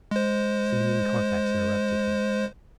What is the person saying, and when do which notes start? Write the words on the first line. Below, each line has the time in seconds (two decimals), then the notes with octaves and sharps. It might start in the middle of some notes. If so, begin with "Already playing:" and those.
Simeon Carfax interrupted him.
0.11 G#3 C5